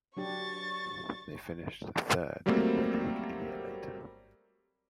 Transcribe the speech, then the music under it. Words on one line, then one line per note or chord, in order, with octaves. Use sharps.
They finished third in the league a year later.
F#3 D4 G4 C#6 A6
F#3 G3 A3 A#3 C4